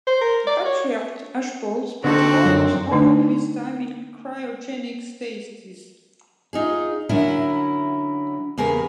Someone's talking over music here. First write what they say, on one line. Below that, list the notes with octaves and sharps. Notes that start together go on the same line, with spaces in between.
The patriarch Ashpool spends almost all of his time in cryogenic stasis.
C5
A#4
D5
C#5
D3 C4 D#4 F#4 A4
F#2
D3 A3 D4 D#4
D#4 F4 G#4
D3 F#3 C#4 E4 A#4
E2 C#3 G#4 A#4 B4